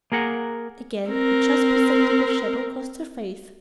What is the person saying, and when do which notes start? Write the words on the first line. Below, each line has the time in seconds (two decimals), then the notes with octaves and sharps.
Again a just perceptible shadow crossed her face.
0.12 A#3 G#4 A#4 F#5
1.09 C4 A#4